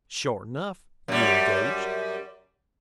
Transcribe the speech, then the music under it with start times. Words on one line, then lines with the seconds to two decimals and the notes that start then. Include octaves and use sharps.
"Sure enough, you engaged?"
1.08 F#2 G3